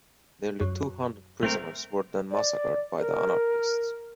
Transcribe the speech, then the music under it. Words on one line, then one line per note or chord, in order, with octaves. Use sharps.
Nearly two hundred prisoners were then massacred by the anarchists.
F#2
A3 C4 A#4
D5
A#4